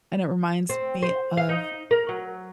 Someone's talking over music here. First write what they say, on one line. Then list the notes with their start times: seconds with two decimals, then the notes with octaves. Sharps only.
and it reminds me of,
0.69 C4
1.02 C5
1.37 F5
1.49 D#4
1.91 A#4
2.09 F#3